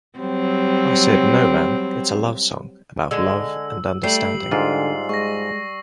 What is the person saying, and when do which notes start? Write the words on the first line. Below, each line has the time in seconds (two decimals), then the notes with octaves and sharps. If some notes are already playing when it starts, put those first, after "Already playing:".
I said 'no man it's a love song, about love and understanding.
0.19 F#3 G3 C4
3.11 D3 G#3 E6
4.03 G3 A3 C7 F#7
4.51 G#2 D3 F4
5.09 G#3 C#6 A#6